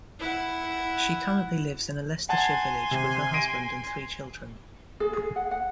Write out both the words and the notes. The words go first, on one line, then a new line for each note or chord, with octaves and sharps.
She currently lives in a Leicestershire village with her husband and three children.
E4 F#5
F#5 G#5 A5 C6 A6
C3
A#6 D7 D#7
G#4
G#4
F#5
F#5